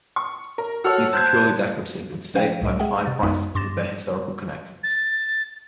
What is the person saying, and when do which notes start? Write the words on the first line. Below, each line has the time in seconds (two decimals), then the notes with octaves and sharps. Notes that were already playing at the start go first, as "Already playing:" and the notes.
These were purely decorative and today command high prices because of their historical connections.
0.16 C#6
0.58 A#4
0.84 F#4 A4 C#5 F#5 F6
1.13 C5 A5 F#6 G#6
2.34 F3 C#4 F5 G5
2.62 C#2 A2 D#5 D7
2.80 G#3 G#4 E5 F#5 G5
3.05 C3 A6
3.23 A#1 F#2 G#3 B3 D#4
3.55 G2 C6 D6 A6 A#6 E7
4.83 A6